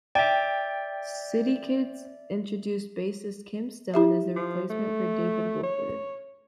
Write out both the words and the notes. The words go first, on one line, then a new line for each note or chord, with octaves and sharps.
"City Kids" introduced bassist Kim Stone as the replacement for David Wofford.
D5 E5 G5
E4 G4 E5
F3
A3
C#5